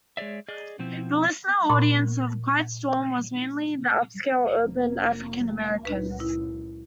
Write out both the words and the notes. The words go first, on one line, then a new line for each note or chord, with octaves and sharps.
The listening audience of quiet storm was mainly "upscale urban" African Americans.
G#3 G#4 C#5 D5 E5
G#4 D5 D#5
B2 F3 C4 E4
A#2 B5 C6
F1 A#3
C#2 F#2 A#2 B4
D#4 E4